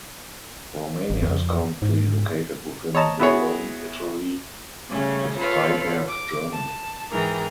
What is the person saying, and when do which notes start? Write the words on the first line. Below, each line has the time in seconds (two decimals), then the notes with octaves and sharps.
Romania is currently located within the Rome Italy the Freiberg Germany.
1.10 G#1
1.23 F2
1.82 G#2
2.95 C#5 D#5 A5 A#5
3.20 B3 E4 F#4 G#4 C#5
4.89 C#3 G3 A3 C#4
5.37 F4 A4 B4 C#5 F5 B5
6.07 D6
6.52 A5
7.11 G#2 E3 G#4 A#4 G5 A#5